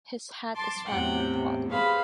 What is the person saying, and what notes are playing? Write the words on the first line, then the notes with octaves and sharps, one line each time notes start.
His hat is found near the body.
A5 C6 D6
E2 A2 C3 F#5 G5
G#4 B4 C5 F5 B5